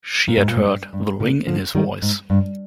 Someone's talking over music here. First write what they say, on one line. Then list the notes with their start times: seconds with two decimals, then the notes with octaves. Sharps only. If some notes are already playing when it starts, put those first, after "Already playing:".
She had heard the ring in his voice.
0.28 A#2
0.37 G#2
0.48 A#2
0.56 G#2
0.65 G2
0.93 G2
1.20 A#2 D3
1.47 D3 F3
1.75 D#3 G3
2.02 G#2
2.30 G2